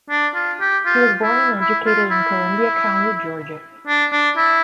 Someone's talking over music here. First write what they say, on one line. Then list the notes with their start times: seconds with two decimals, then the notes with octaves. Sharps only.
He was born and educated in Columbia County, Georgia.
0.10 D4
0.35 F4
0.60 G4
0.86 F4
1.23 E4
1.61 E4
1.86 F4
2.11 E4
3.87 D4
4.12 D4
4.37 E4